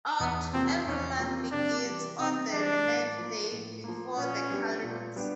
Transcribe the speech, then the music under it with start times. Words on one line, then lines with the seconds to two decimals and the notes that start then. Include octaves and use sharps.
Oct. Every month begins on the ninth day before the kalends.
0.20 E2 B3
0.53 C3 F3 A#3 C4
0.87 E2 C#4
1.19 C3 F3 A#3
1.52 C3 D4
1.85 E3 G3
2.18 C3 D#4
2.52 E3 G3 D4
2.85 A2
3.18 F3 A#3
3.52 A2
3.84 F3 A#3
4.17 A#2 C#4
4.50 G3 B3 D4 G4
4.83 A#2
5.16 G3 B3 D4 G4